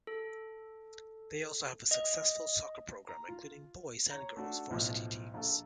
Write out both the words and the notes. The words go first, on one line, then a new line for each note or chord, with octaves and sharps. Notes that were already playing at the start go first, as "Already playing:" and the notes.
They also have a successful soccer Program including boys and girls varsity teams.
A4
D#5
A#5
F4
C#5 A#5
A3 D4 F#4
B1 A2 F3
A#1 A4